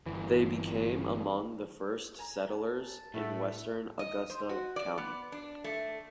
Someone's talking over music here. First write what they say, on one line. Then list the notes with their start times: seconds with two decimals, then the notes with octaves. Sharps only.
They became among the first settlers in western Augusta County.
0.06 G1 E3
2.19 G#5 A#5
2.51 A5
3.14 A2 A3 E4 F#5
3.99 D#5
4.30 C5
4.49 F#4
4.76 D5
4.98 B3
5.32 D4
5.64 A3